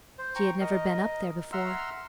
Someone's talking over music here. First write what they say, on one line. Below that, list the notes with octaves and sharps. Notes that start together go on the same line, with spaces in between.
She had never been up there before.
C5
G5 A#5 C#6
A#4 D#5
E5 F#5 A#5 C6 E6 F6